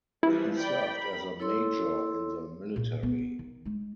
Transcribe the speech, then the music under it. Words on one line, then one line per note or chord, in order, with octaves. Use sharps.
He served as a major in the military.
E3 F3 G3 E4
D5 G5 B5
A#4 B5
E4 A4 C#5 C6 E6
A#2
B3
D#3
G#3 D#4